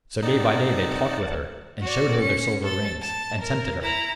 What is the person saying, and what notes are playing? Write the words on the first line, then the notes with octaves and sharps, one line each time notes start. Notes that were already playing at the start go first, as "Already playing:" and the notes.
So day by day they talked with her, and showed her their silver rings, and tempted her.
C4 D#4 D5 F#5 A5
F#4 D5
C#4 C#7
A4 A6
A5
A#4
E4 A#5